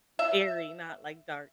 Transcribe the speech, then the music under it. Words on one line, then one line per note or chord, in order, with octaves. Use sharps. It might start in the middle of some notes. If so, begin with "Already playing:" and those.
airy, not, like, dark.
E5